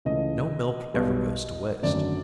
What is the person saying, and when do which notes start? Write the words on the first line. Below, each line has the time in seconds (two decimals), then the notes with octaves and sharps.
No milk ever goes to waste.
0.05 C#2 C#3 E3 A3 D#5
0.94 B1 B2 G3 B3
1.83 G#1 F#2 D3 F#3 A3 D5